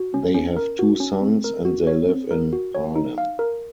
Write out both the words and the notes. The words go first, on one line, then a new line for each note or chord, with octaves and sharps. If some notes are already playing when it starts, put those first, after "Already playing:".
They have two sons and they live in Harlem.
Already playing: F#4
C#4
C#4
A#4
F#4
C#4
C4
A#4
F#4
C#5
C4
A#4
F#4
C#5
D#4
F5
A#4